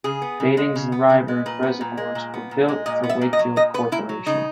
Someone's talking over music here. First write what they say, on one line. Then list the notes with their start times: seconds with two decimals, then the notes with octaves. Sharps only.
Baitings and Ryburn reservoirs were built for Wakefield Corporation.
0.04 C#3 G#4
0.22 B3
0.40 C#3
0.57 G#3
0.75 C#3
0.92 B3
1.10 C#3
1.28 G#3
1.46 A#2 B4
1.63 B3
1.81 A#2
1.97 G#3
2.15 A#2
2.34 B3
2.51 A#2
2.68 G#3
2.86 A#2 D#5
3.04 B3
3.09 E5
3.21 A#2
3.33 D#5
3.39 F#3
3.56 A#2 D#5
3.74 B3 B4
3.92 A#2 E4
4.09 F#3
4.26 C#3 D#4